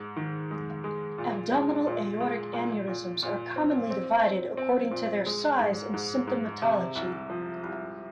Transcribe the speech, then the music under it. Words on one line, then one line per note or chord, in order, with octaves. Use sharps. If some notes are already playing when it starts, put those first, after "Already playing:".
Abdominal aortic aneurysms are commonly divided according to their size and symptomatology.
Already playing: G#2
D#3
G#3
G#3
A#2
G#3
A#2
G#3
A#2
A#2
A#2
C4
C4
C4
C4
A#2
G#3
G#2
G#2
G#2
C3
C2
F3
C2